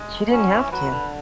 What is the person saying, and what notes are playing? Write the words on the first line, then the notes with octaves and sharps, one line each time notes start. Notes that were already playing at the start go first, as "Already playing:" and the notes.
she didn't have to.
Already playing: G#3
F#3 C#4
E3
E3
F#3 B4
D3